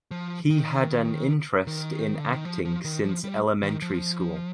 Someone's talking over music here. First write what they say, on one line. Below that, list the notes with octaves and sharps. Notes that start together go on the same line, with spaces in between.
He had an interest in acting since elementary school.
F3
D#3
D#3
D3
D#3
F3
F3
D#3
F3
G3
D#3
F3